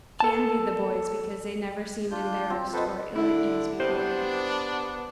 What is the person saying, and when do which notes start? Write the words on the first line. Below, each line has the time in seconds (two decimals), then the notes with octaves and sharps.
She envied the boys because they never seemed embarrassed or ill at ease before her.
0.20 A4 A5
2.11 D4 F4 G6
2.50 F3 C4
2.73 A4 B4 C5 D#5 F#5
3.15 D3 E4
3.80 B3 D4 G4 C5